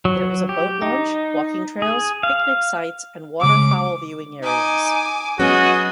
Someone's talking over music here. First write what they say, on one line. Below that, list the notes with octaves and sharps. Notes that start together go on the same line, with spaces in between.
There is a boat launch, walking trails, picnic sites, and waterfowl viewing areas.
F#3
G4
D#4
G#4
F5
C2 C#3 G#3 D6
D#4 G#5 D6
F#3 B3 C#4 F#4 G#4 D#5